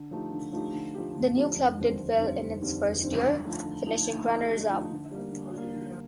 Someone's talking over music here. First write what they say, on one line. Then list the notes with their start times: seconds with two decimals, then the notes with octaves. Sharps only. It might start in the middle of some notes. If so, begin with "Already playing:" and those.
The new club did well in its first year, finishing runners-up.
Already playing: D3
0.11 F3 A3 D#4 G4
0.32 D3
0.52 F3 A3 D#4 G4
0.73 D3
0.95 F3 A3 D#4 G4
1.15 D3
1.36 F3 A3 D#4 G4
1.56 F1
1.77 D#2 D3 G3 C4
1.98 F1
2.19 D#2 D3 G3 C4
2.41 F1
2.61 D#2 D3 G3 C4
2.82 F1
3.03 D#2 D3 G3 C4
3.24 D3
3.45 F3 A3 D#4
3.66 D3
3.86 F3 A3 D#4
4.08 D3
4.28 F3 A3 D#4
4.49 D3
4.70 F3 A3 D#4
4.90 D3
5.11 G3 A#3
5.32 D3
5.53 G3 A#3
5.74 D3